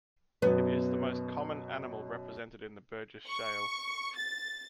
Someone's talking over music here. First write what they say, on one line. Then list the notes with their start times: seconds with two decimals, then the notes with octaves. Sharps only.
It is the most common animal represented in the Burgess Shale.
0.42 F#2 B2 B3
3.28 C#6
4.16 A6